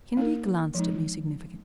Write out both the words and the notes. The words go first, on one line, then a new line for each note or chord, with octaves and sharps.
Kennedy glanced at me significantly.
A#3 D#4 A#4
F3 G#3 D#4